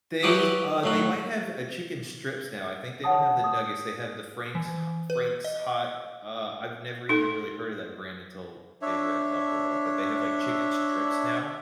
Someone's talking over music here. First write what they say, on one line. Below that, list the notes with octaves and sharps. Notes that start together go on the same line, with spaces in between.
They, uh They might have a chicken strips now. I think they don't have the nuggets. They have the Frank's Ho Frank's Hot, uh, I've never even really heard of that brand until they were at Taco Bell, but they have, like, chicken strips now.
E3 F#3 F#4 G4 D6 D#6
A2 F#3 F#4
C#5 F#5 A5 D#6
D#6
E3
B4
D#5
D#4 A4
D4 C#5 E5